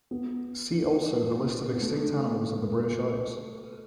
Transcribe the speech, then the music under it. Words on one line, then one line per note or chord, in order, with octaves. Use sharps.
See also the list of extinct animals of the British Isles.
B3
B3
A3